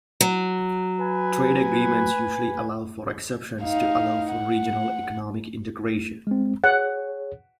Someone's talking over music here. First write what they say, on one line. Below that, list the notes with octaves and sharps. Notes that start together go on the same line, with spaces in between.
Trade agreements usually allow for exceptions to allow for regional economic integration.
F#3
B4 G#5
D#4 F5
F#5
G#3 C4
G#4 C#5 F#5